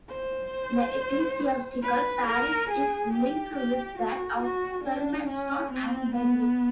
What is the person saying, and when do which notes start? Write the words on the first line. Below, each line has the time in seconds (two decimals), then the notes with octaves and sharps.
The ecclesiastical parish is linked with that of Selmeston and Berwick.
0.10 C5
1.83 B4
2.26 A#4
2.70 G#4
3.12 G4
3.55 G4
3.98 F#4
4.42 F#4
4.84 D4
5.27 C#4
5.71 C4
6.14 B3